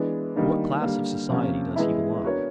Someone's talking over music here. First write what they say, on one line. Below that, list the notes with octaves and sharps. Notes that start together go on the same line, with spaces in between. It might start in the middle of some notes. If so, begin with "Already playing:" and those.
"To what class of society does he belong?"
Already playing: E3 G#3 B3 D4
D#3 G3 A#3 D4
D3 G3 A#3
C3 F3 A#3 C#4
E3 G#3 B3 E4
B3 D4 F#4 A#4 C#5